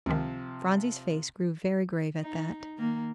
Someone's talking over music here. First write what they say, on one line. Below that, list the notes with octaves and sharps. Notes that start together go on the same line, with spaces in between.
Phronsie's face grew very grave at that.
C#2 C3 D#3 F3
D#4
D#3 A#3